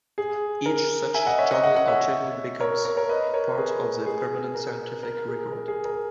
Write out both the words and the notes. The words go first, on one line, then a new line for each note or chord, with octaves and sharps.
Each such journal article becomes part of the permanent scientific record.
G#4
A#4
E5 G#5
D#5 F#5
C#5 E5
D#5 F#5
D#5 F#5
F#5
C#5 E5
A#4 C#5
A#4 C#5
A#4 C#5
B4 D#5
A#4 C#5
G#4 B4
G#4
A#4
A#4
G#4
A#4
G#4
A#4